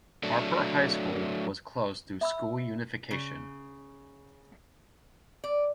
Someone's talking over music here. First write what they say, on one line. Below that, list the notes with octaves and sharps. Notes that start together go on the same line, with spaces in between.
Harper High School was closed through school unification.
F#3 A3 D4
E5 B5 E6
C#3
D5